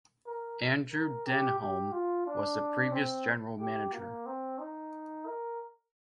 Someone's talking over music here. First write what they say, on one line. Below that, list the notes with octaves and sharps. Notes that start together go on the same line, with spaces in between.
Andrew Denholm was the previous general manager.
A#4
A#4
G4
G4
F4
D4
C4
G4
A#3
C4
D#4
A#4